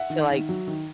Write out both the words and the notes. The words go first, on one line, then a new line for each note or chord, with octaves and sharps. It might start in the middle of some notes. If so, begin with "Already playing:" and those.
So, like
Already playing: E5 F#5
D#3
D#3
F#3
D#3